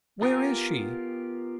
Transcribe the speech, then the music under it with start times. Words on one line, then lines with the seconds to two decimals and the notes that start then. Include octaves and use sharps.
Where is she?
0.22 B3 F4 G4 A#4 G#5